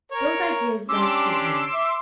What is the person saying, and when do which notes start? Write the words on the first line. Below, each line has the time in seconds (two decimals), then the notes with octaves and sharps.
Those ideas don't suit me.
0.12 A#4 C#5
0.88 C#4 D4 G4 C6 D6 E6
1.74 E5